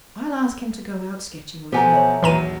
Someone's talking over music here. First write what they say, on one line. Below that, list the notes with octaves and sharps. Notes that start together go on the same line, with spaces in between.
'I'll ask him to go out sketching with me.
B2 F3 G4 A4 C5 F#5 G#5 A#5
C#5 E5
A#1 D#2 E3 F#3 A#5 D#7